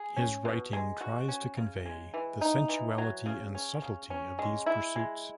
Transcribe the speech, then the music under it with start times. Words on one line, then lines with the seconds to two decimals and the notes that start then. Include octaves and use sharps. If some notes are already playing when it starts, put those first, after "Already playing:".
His writing tries to convey the sensuality and subtlety of these pursuits.
Already playing: G#4
0.16 C#4
0.45 B2
0.73 G#3
1.01 F#4
1.29 C#4
1.57 C#3
1.86 G#3
2.14 E3
2.41 D#4
2.69 E3
2.98 F#3
3.26 C#3
3.55 C#4
3.82 C#3
4.10 C#4
4.39 G#3
4.66 E4
4.96 G#3